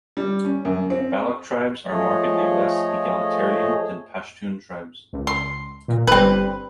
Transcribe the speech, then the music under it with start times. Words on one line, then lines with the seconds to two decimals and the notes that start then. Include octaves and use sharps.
Baloch tribes are markedly less egalitarian than Pashtun tribes.
0.17 G3
0.45 C#4
0.65 F#2
0.90 C4
1.88 F3 A3 G#4 C#5 D#5
5.13 C#2
5.27 C6
5.88 A#2
6.07 G1 G3 C4 B4